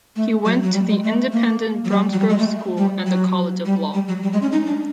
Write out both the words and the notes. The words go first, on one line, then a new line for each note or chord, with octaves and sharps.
He went to the independent Bromsgrove School and the College of Law.
A3
F#3
F#3
G3
G#3
A3
A#3
F#3
G3
F#3
G3
G#3
A3
G3
F#3
G3
G3
F#3
G3
G#3
C#4
D#4
D4